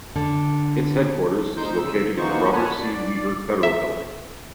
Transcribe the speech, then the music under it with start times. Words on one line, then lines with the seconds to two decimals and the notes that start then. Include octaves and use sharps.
Its headquarters is located in the Robert C. Weaver Federal Building.
0.15 D3
1.56 D2 D#4 C5 G6
1.78 C#3 E6
2.17 E3 A#3 B3 D#4 C5 C#6
2.52 C#5 F#5 G#5 A5 B5
2.80 D5
3.63 E5